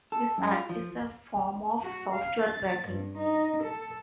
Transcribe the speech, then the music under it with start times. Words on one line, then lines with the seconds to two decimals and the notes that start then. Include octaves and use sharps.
This act is a form of software cracking.
0.12 A4
0.38 F#2
0.52 F4
0.69 F3
1.81 F#4
2.13 F5
2.42 A6
2.87 G2
3.18 D#4
3.62 A4